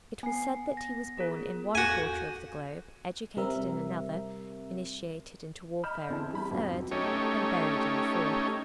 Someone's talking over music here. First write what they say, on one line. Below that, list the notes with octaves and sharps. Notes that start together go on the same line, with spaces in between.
It was said that he was born in one quarter of the globe, educated in another, initiated into warfare in the third and buried in the fourth.
B3 G#5 C7
A#6
F4 G#4 A#4
E2 F#4 A4 F5 G#5 G6
C3 G3 C4 A#4 E5
D#5 B5 F6 G6 E7
E2 C4 E4 A5
G3 B5
F2 B2 F#3
A3 C#4 D#4 G4 C#5